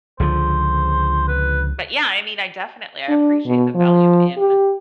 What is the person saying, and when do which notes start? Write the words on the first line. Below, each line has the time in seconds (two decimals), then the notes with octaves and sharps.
um, but yeah, I mean, I definitely, I appreciate the value in
0.20 C#2 D3 F3 C5
1.28 B4
3.09 D4
3.46 B2
3.75 F3
4.38 G4